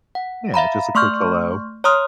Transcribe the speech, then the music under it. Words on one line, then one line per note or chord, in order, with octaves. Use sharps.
Yeah, just a quick "hello".
F#5
E5 F5 A#5 B5
A3 C6 C#6 F6 G6
C#5 A#5 C6 D#6 F6